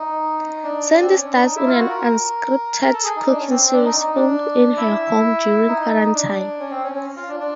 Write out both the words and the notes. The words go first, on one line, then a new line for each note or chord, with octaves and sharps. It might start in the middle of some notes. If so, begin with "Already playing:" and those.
Sandy stars in an unscripted cooking series filmed in her home during quarantine.
Already playing: D#4
D4
C4
C#4
C#4
D4
D#4
E4
F4
F#4
A#4
A#4
A4
G#4
D#4
D4
C#4
C4
C4
D4
D#4
D#4
D4
E4
D#4
D#4
D4
C#4
C4
C#4
C#4
F4
D4
D4